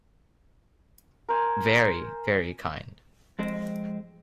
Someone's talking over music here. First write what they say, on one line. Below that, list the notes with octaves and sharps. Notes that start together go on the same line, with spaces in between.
Very, very kind.
A#4 C5 G#5
F2 G#3 C4